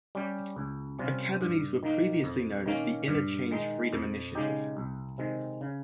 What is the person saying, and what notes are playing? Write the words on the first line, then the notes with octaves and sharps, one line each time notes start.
Academies were previously known as the InnerChange Freedom Initiative.
G3 C#4 G4
C#2
C3 G3 C#4 F4
G2
D#3 A#3 D#4
F2
D#3 A#3 C#4
G2
D#3 G#3 D#4
F2
C#3 G#3 D#4 G4
C2
C3 D#3 G#3
C#3